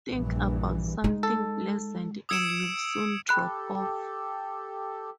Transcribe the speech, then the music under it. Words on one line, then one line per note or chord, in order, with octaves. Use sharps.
Think about something pleasant, and you'll soon drop off.
A#1 G2 E3
G#3 D#4
A4
D#6 E6 G#6 C#7 D7 E7
G4 A4 B5 F#6